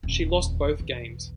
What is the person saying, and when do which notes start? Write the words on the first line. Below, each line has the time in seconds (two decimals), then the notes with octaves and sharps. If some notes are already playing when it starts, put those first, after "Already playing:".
She lost both games.
0.03 D#1 F2
0.80 B1 E2